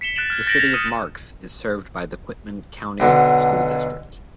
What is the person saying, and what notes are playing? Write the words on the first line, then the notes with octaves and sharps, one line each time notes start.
The City of Marks is served by the Quitman County School District.
B6 C#7 E7 G7
F#6 A6 D7 E7 F#7
F6 G#6 A6
G6 A6 A#6 C#7 D7 F#7
G#6 F7
D#6 F6 C#7 D#7
B1 B2 D3